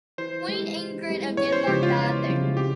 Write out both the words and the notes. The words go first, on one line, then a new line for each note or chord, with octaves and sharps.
Queen Ingrid of Denmark died there.
E3 C5
G#3 E4 G4
E3
G#3 E4 G4
E2 C#5
C5
C#3 F3 G#3 E4 G4
F4
E2
C#3 F3 G#3 E4
C#3 G4